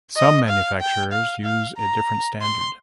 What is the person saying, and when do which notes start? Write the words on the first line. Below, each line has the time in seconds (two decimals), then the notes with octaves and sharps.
Some manufacturers use a different standard.
0.17 D#5
0.49 F5
0.81 G5
1.12 F5
1.45 F5
1.78 A#5
2.42 C6